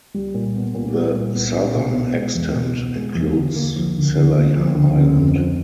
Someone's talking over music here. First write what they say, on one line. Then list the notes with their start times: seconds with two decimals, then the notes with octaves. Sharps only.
The southern extent includes Selayar island.
0.14 G3
0.34 A#2
0.55 B3
0.74 A#2
0.94 G3
1.16 A#2
1.34 B3
1.55 A#2
1.75 B2
1.94 B3
2.15 G#3
2.35 E2
2.55 B2
2.75 B3
2.96 G#3
3.15 E2
3.36 D3
3.55 A#3
3.75 F3
3.96 D2
4.15 D3
4.35 A#3
4.56 F3
4.75 D2
4.95 C#3
5.16 F2
5.35 F3